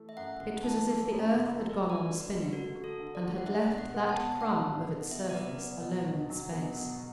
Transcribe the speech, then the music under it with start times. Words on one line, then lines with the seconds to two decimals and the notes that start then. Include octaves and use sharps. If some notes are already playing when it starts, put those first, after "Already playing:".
It was as if the earth had gone on spinning, and had left that crumb of its surface alone in space.
Already playing: E3 A3
0.09 E5
0.17 F#2 F#5
0.40 F#1 F#5
0.64 E3 A5
0.88 A3
1.11 F#2
1.35 F#1
1.57 A3
1.81 F#4
1.90 D5
2.05 D3
2.20 B4
2.29 D2
2.52 A3 F#4
2.75 F#4
2.84 A4
3.00 D3
3.15 D5
3.23 D2
3.38 F#5
3.46 D4 E5
3.70 B2
3.78 F#5
3.94 B3
4.09 A5
4.17 B2
4.32 A5
4.40 D4 F#5
4.64 B2
4.88 B3
5.11 B2 E5
5.29 D5
5.35 F#3 B4
5.58 B3
5.82 B2
6.06 E2
6.30 F#3
6.52 B3
6.76 B2